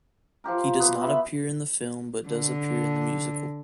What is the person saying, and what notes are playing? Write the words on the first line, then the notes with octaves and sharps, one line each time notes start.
He does not appear in the film but does appear in the musical.
F3 F4 G4 A#4
B3
E5 B5
D3